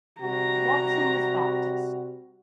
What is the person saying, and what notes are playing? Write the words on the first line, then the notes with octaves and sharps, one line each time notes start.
Watson was Baptist.
C3 G3 F#4 A#5